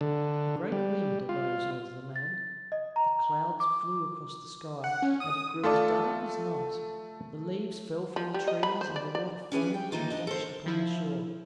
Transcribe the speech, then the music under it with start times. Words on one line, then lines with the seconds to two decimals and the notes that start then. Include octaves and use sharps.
A great wind arose over the land, the clouds flew across the sky, and it grew as dark as night; the leaves fell from the trees, and the water foamed and dashed upon the shore.
0.01 D3
0.72 G3
1.29 F4
2.16 A6
2.72 D#5
2.96 A#5
3.60 D6
4.84 F#5
5.02 C#4
5.20 D#6
5.63 A3 F4 A4 D5 A5
8.16 F3
8.34 G3
8.48 D#5
8.63 B5
8.81 C5
8.96 D5
9.15 D5
9.52 C#4 D4 G#4 B4 F#5 G#5
9.74 G5
9.92 E3 A3 A#3 D#4 F4
10.10 D4 D#5
10.27 A4 A#4 C5
10.66 F3 E4